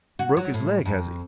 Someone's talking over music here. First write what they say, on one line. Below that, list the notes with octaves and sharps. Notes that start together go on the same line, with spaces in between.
"Broke his leg, has he?"
F#4
F#3
A2
F2